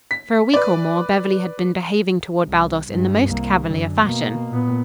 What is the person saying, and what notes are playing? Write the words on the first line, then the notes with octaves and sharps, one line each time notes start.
For a week or more Beverly had been behaving toward Baldos in the most cavalier fashion.
B6
B4 D5
C2
G2
C2 A#3
F#2 D3
B2 A#3
A#2 B3